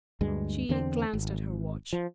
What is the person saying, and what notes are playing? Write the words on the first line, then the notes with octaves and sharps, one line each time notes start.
She glanced at her watch.
D2 G2 G#3
E2 D3 C4
G#1
F3